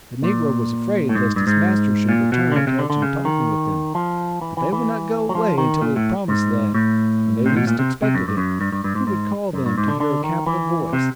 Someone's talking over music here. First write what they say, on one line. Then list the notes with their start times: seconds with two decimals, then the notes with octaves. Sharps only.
The negro was afraid lest his master should return and catch him talking with them; but they would not go away until he had promised that, when they least expected it, he would call them to hear a capital voice.
0.22 A#2
1.09 A2
1.15 G#2
1.36 G2
1.47 G#2
2.09 A#2
2.32 B2
2.52 D3
2.56 C#3
2.67 C3
2.79 D3
2.90 D3
3.02 C#3
3.25 D#3
3.95 F3
4.41 E3
4.57 E3
4.73 E3
5.29 F#3
5.35 F3
5.58 D#3
5.81 A#2
5.96 A2
6.28 G#2
6.75 A2
7.46 C3
7.57 B2
7.67 A#2
7.79 C3
8.02 C3
8.15 F#2
8.28 G2
8.37 F#2
8.61 G2
8.72 G2
8.84 G2
8.95 G#2
9.07 G#2
9.53 F#2
9.66 G2
9.78 G#2
9.88 D3
10.00 D3
10.24 D#3
10.46 E3
10.93 C3